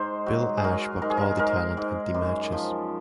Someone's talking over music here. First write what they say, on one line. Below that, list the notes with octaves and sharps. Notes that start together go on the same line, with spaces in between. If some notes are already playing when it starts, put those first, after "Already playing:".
Bill Ash booked all the talent and the matches.
Already playing: G#2 C5
F#3
G#4
F#3 A#4
G#2 A#4
G#4
A#4
G#2 A#4
G#2
F#2
F3